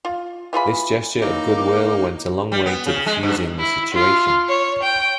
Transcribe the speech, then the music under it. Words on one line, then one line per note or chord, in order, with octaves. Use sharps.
This gesture of goodwill went a long way to defusing the situation.
F4
E3 F4 G#4 B5
A#3 D#4 E4 A#4 C#5 D6
G3
B3
C#3
G#3
G2
E4
F4
C#5
G5